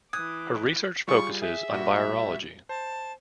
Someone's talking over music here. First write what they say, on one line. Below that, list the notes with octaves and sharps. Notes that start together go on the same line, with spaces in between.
Her research focuses on virology.
E3 D6 D#6 F#6 G#6
G3 F4 G#4 C#6
G#4 E5
A#2 G3 F#4
C5 A5